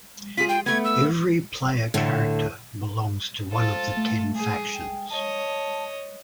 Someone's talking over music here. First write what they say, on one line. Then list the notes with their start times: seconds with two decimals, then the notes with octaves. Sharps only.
Every player character belongs to one of the ten Factions.
0.37 F4 G#4 B6
0.49 G5
0.66 A3 B3 G#6
0.84 E6
1.94 A2 D3 A5
3.52 F4 A4 C5
3.97 A3
4.36 G#4
4.74 G5
5.10 C#5 D#5 A5